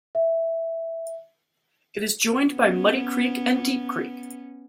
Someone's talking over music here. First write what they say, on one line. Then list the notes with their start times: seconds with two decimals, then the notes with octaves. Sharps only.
It is joined by Muddy Creek and Deep Creek.
0.15 E5
2.47 B3 C#4